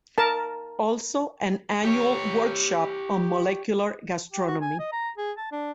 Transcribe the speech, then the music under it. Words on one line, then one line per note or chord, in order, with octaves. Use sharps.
Also an annual Workshop on Molecular Gastronomy.
A#4 A5
G4 C#5
G4
F#4
G#5
D#5
A#5
G#4
A5
D4